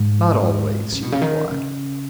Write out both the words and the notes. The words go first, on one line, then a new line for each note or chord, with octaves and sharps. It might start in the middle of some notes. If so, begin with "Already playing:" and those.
"Not always," he replied.
Already playing: G#2
C#3
B2
C#3
D#3
C#3